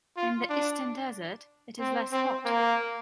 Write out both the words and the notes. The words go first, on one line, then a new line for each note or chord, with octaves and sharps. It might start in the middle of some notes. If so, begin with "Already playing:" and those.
In the eastern desert, it is less hot.
F4
D4
C4
C4
A#3